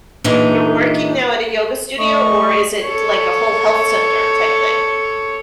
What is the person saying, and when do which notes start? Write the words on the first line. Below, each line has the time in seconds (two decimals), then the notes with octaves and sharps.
you're working now at a yoga studio or is it like a whole health center type thing?
0.24 A#2 D#3 E3 G#3 D4 D#4
1.98 A3 D#5 C#6
2.83 A4 C#5